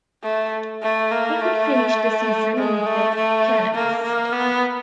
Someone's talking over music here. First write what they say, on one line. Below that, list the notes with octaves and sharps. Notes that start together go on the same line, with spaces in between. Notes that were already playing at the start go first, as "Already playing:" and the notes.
He would finish the season with the Canucks.
A3
A3
A#3
A3
G#3
A3
A3
A#3
A#3
B3